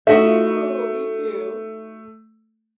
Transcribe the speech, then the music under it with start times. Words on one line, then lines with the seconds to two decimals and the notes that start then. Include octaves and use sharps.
Ooh, me too.
0.07 A3 D#4 F#4 E5